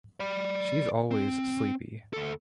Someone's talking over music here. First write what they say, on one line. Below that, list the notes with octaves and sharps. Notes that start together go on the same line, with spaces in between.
She's always sleepy!
D5 B5
C4
D2 A4